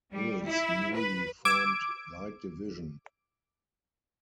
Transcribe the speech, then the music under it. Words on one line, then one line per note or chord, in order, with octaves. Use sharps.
Hill's newly formed Light Division.
G3
E4
B4
D6 E6 G#6 D7